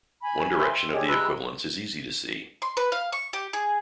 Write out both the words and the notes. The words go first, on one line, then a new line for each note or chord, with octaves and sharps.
One direction of the equivalence is easy to see.
G#5 B5
C5 E5 G5
G#3 G4 C#5 D5
B4 A#5 B5 E6 F#6
C6
B4
F5
C#6
G4
G#4